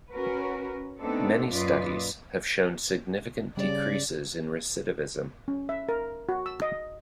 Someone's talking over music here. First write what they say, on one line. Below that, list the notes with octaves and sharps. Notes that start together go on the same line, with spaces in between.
Many studies have shown significant decreases in recidivism.
C#4 F#4 A#4 B4
A3 B3 C4 D4 D#4 A4
F#2 A#2 F4 B4 D5 D#5
C#3 G3 D5
C#4
E5
A#4
F#4
E6
D#5